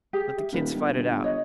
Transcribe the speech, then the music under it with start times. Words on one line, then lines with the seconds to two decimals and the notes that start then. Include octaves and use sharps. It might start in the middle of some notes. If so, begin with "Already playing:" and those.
"Let the kids fight it out."
0.13 G4 G#4
0.38 E5
0.53 D#1 A#4 B4
0.74 G1
1.24 C#5 D#5